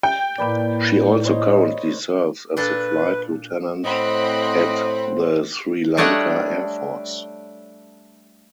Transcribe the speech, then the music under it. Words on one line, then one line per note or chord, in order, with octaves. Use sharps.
She also currently serves as the flight lieutenant at the Sri Lanka Air Force.
G5
A2 A#3 B4 D5
C5 C#5 D#5
A#2 D4 A4 B4
A2 C4 C5 D#5 F#5 B5
G3 A3 D4 C#5 D#5 F#5